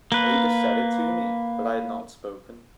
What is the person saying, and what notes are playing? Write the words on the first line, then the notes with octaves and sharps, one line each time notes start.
Ada said it to me, but I had not spoken.
A#3 B4